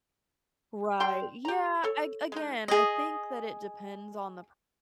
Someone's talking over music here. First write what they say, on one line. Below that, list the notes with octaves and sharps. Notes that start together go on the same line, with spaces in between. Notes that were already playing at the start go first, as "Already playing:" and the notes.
Right. Yeah, a again, I think that it depends on the p
G3 G5 C6
G4 A#5
A4 C#5
G#3 D#4
G#4 D#5